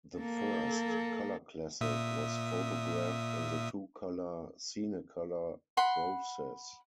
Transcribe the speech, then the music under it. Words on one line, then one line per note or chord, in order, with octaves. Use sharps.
The first "Color Classic" was photographed in the two-color Cinecolor process.
A#3 A4
A#2 E5 D#6
F#5 B5 C6